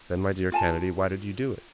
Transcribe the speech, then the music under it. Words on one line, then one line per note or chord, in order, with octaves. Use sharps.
"Then, my dear Kennedy, why did you do it?"
F4 G#5 A5